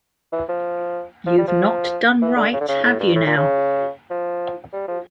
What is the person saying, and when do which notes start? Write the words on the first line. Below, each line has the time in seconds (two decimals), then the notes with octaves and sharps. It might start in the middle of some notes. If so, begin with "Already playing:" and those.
You’ve not done right, have you, now?
0.32 E3
0.48 F3
1.26 F3
1.38 G3
1.47 F3
2.22 E3
2.36 D3
2.53 C#3
2.61 D3
2.68 C#3
2.84 A2
3.00 G2
3.15 A2
3.27 A#2
3.37 C#3
4.10 F3
4.73 G3
4.88 F3